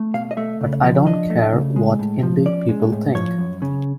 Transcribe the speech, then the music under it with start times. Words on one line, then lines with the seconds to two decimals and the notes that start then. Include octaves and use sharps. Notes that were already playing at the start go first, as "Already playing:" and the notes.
But I don't care what 'indie people' think.
Already playing: A3
0.14 B2 F5
0.31 D#5
0.37 A3 E5
0.61 C#3
0.83 F3
1.07 D4 D#5
1.30 A3
1.53 C#3
1.76 G#3
1.99 A2
2.23 F3
2.46 C#4 D5
2.69 G#3
2.92 A2
3.15 F3 C#5
3.38 F#2
3.62 C#3